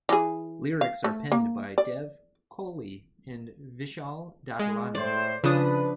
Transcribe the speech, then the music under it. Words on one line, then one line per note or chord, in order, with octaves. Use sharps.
Lyrics are penned by Dev Kohli and Vishal Dadlani.
E3 G#4
F5
A3
A#3
D5
G#3
A2 C5 D5
C#3 F3 D4 B4 D#6